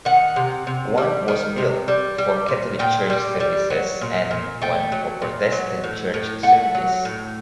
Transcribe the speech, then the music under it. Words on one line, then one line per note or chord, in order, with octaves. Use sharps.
One was built for Catholic church services and one for Protestant church service.
D#3 F#5
C3
C3
G3
D#3
C3
G3
G3
A#2
A#2 G5
G3
G3
F#3
A#2
A#2
A3 G5
F#3
A#2
F#3
A2
A2
A3 F#5
F#3
A2